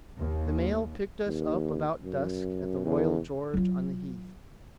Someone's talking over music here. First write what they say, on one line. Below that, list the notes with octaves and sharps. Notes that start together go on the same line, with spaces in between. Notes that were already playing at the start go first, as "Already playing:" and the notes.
The mail picked us up about dusk at the Royal George on the heath.
D#2
D#2
F#2
E2
F#3 F4